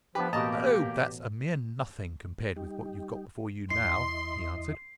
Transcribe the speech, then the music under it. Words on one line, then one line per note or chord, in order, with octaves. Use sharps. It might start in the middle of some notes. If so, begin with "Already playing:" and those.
"Oh! that's a mere nothing, compared with what you've got before you now," he answered.
F3 B3 D4 G4 B4
A1 B2 A#3 G4 D#5 A5 A#5
G3 D#4 G4
E2 E4 D#5 C6 C7